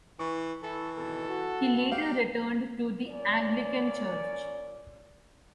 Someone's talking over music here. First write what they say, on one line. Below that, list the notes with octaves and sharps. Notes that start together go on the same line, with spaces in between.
He later returned to the Anglican church.
E3 C#6
E3 E4 A4
G#1 B2 A4
F#4
G4 F5
A#2 C#4 C#5 D5